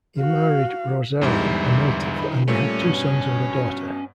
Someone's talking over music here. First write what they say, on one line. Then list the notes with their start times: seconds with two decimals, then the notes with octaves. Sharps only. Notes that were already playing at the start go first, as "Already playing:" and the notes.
He married Rosario, a native, and they had two sons and a daughter.
0.19 F#4 F5
1.22 E2 G#2 D3 G3 E4
2.19 D#4 B5
2.48 A#2 G3 A3 C#4
2.82 G2 B2